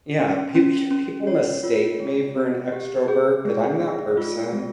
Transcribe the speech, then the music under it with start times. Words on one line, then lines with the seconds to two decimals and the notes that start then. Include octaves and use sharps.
Yeah, p people mistake me for an extrovert, but I'm that person
0.19 C#4
0.55 C#4
0.91 C#4
1.27 C#5
1.63 F4
2.00 G#3
2.36 C4
2.72 G4
3.08 G#4
3.45 G#3
3.80 G#3
4.17 F4
4.53 G#3